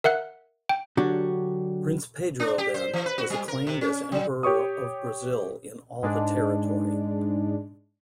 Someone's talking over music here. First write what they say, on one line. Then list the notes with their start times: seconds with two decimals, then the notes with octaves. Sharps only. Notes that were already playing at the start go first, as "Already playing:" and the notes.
Prince Pedro, then, was acclaimed as Emperor of Brazil in all the territory.
0.04 A#4 E5 F#5 F#6
0.69 G5
0.97 D3 F#3 D4 F#4 G4
2.40 D4
2.58 G4
2.74 C5
2.93 E3
3.06 B4
3.18 F#4
3.30 G3
3.48 A#4
3.67 C3
3.81 C#4
4.12 F#3
4.43 G4 C#5 C#6 D#6
6.03 G#2 G#3 D4